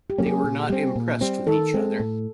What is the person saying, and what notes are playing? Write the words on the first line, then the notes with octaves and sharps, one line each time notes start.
They were not impressed with each other.
G4
F#3 A#3 C#4
G#4
A#2
G3 C4
A#2
G3 C4
D#3 A4
G#3 C4
A2